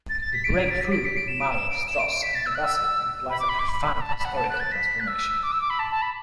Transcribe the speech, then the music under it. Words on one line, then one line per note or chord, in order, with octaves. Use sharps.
The "breakthrough" of Mahler, Strauss, and Debussy implies a profound historical transformation ...
A6
A6
B6
D7
A6
B6
D7
B6
D7
E7
D7
E7
D7
E7
D7
D7
B6
A6
E6
F#6
E6
B5
D6
B5
D6
B5
A5
B5
F#5
A5
F#6
A6
B6
F#6
E6
D6
E6
D6
B5
A5
A5
B5